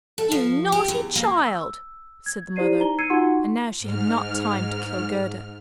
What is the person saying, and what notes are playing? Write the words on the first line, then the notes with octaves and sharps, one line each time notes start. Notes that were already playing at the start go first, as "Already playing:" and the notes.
"You naughty child!" said the mother: and now she had not time to kill Gerda.
A4
F3
G4
E2
A#3
E6
G#6
E4 G4 C5 D5 C7 D#7
D#4 A#5 G7
E6 G#6 C7 C#7 D#7
D#4 F4 F#4 F#5 C6 C#6
G#2 F6